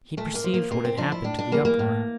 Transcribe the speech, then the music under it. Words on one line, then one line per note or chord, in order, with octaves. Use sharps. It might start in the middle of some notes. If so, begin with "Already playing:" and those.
He perceived what had happened to the uproar.
A#2 A3
A#3
F3
A#3
A#2 A#3
C4
F3 D4
E4
A2 D4
D4
E3 G3 A#3
A#3
A2